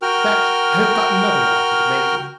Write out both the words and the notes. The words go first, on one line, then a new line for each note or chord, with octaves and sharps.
In fact, I have got another offer to make you.'
F#4 A#4 G5 F6